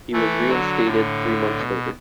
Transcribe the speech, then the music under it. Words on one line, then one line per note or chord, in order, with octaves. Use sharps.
He was reinstated three months later.
E3 A3
D3 F#3
A2 D3
B2